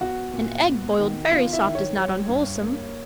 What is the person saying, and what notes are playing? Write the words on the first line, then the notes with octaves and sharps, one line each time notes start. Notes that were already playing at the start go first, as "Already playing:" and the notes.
An egg boiled very soft is not unwholesome.
B3 F#4 F#5
A#2
B3
D#3
B3 F4 F5
E4 E5
D#3
C#5
G3 C#5
G2
A#3